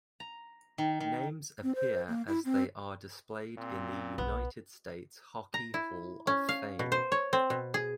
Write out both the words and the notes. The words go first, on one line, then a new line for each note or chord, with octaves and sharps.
Names appear as they are displayed in the United States Hockey Hall of Fame.
A#5
D#3
D#3
C4
C5
A#3
E4
C4
A#2 C4
B1 B3
A#5
E4
C#4
F5
B2
C5
C#5
C4
B2
G#4